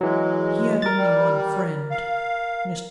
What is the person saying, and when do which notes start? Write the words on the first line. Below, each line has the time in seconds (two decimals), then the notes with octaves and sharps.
He had only one friend--Mr.
0.01 E3 F#3 G#3
0.82 A#4 A6
0.97 G3
1.91 F5